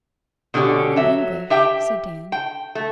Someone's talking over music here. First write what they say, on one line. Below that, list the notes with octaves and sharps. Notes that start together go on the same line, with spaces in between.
'Aren't you English?' said Dan.
B2 D3 C#4 G4 D5
F#3 E5
G4 E5 G5
G5
A3